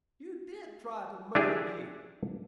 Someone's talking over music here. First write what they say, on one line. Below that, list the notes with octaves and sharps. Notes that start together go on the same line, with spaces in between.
"You did try to murder me!"
D4 E4 G4 G#4